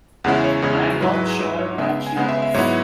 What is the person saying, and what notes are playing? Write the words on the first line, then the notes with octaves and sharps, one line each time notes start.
I'm not sure that she was.
E2 C#3 G#3 C#4 E4 F#5
C#5
E2 C#3 G#3 C#4 E4
G#2 F#3 E4 B4
B4
G#4
G#2 F#3 E4 B4
C#5
C#3 G#3 B3 E5
G#5
C#3 G#3 B3 F#5
E5
E5
G#2 F#3 B3 E4 C#5